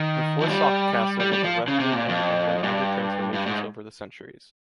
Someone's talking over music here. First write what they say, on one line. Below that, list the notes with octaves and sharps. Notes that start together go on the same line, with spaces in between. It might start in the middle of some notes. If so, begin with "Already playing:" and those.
The Forsac castle was erected in and went under transformations over the centuries.
Already playing: D#3
F3
G3
G3
G3
F3
C#3
C3
A#2
F2
G2
G2
G#2